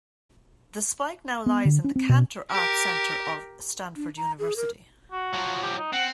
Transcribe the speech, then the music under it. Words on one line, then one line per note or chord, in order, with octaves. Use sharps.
The spike now lies in the Cantor Arts Center at Stanford University.
B3
D3
C#4
C4
B2
G4 A#4
D4
A#5
G#4
A#4
F#4
F3 F#3
G4
D#4
C4 F#5